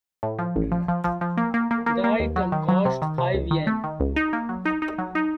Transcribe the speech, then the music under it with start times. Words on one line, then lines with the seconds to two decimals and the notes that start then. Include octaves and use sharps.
The item costs five Yen.
0.23 A2
0.39 F3
0.56 A1
0.72 F3
0.88 F3
1.04 F3
1.21 F3
1.37 A#3
1.54 A#3
1.71 A#3
1.86 A#3
2.04 A#3
2.20 D#2
2.36 F#3
2.52 D#3
2.68 F#3
2.85 C3
3.02 D#3
3.18 C3
3.34 C#2
3.51 D#3
3.67 A3
3.84 D#3
4.00 C#2
4.16 D#4
4.33 A#3
4.49 F#3
4.65 D#4
4.82 D#4
4.98 F#3
5.15 D#4